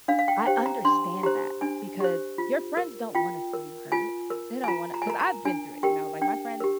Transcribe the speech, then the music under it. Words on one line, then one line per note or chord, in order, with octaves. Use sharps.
I understand that, because your friends don't wanna see you hurt. They don't wanna 'cause I've been through it, you know? Like, my friends
D4 F5
F5
G5
G4 C5 G5
A#5
D4 C6
G4 C5 A#5
D4 G#5
G4 C5
F4
A#4
F4 G5
A#4
F4 G#5
A#4
G#5
F4 A#5
A#5
G#5
A#4 A#5
A#5
D4 G#5
G4 A#4 G5
D4 G5
G4 A#4